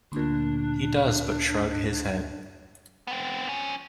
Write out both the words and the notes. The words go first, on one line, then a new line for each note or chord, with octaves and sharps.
He does but shrug his head.
D2 A#2 D4
B3 C4
F3 C#4